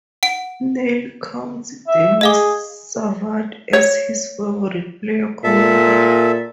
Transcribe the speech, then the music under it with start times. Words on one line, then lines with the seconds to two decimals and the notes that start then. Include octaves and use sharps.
Neil counts Denis Savard as his favourite player growing up.
0.23 F#5 D7
1.88 E5
2.21 G#4 D#5 F5 D6
3.73 C#5
5.44 A#2 A4 E5